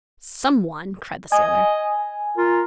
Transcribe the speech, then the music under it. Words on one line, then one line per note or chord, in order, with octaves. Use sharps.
"Some one," cried the sailor.
D#5 G#5
F4 A#4